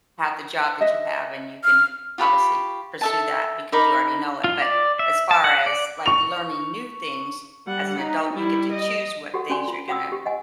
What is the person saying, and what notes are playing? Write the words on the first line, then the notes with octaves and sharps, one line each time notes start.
have the job that you have, and you can obviously pursue that because you already know it. But as far as, like, learning new things, as an adult, you get to choose what things you're gonna
D#5 E5
F6
F4 G4 B5 C#6
A4 E5 A5
D#4 A#4 B5 D6
F4
D5
E5
A5
F#5
D5
C#6 F7
G3 F#5
D#4
G3 E4
D#5
F#4 G4 A4 F#5
C#4 F#4 G4 D5 G#5 C6
F4
F#4 F#5 G5 D#6 E6
G4
D#5 F#5 G#5